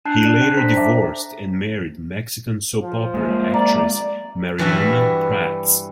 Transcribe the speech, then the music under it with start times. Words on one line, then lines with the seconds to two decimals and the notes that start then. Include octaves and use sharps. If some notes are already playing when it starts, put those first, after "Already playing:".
He later divorced and married Mexican soap-opera actress Mariagna Pratts.
0.05 D4 A5 F#6 G6 A6 C7
0.21 D5 F#6
0.40 C5 G5 A5
0.57 D4 A4 C5 A#5 A#6 B6
0.77 E5 A5 D6
2.81 F3
3.14 G#3 A#3
3.54 D5 A#5
4.58 G2 E3 G3 F#4 E5